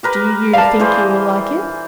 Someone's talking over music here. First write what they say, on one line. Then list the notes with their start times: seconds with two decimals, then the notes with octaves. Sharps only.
"Do you think you will like it?"
0.03 G4 A#4 B4
0.53 D5 F5 A5
0.80 E3 G#4 C5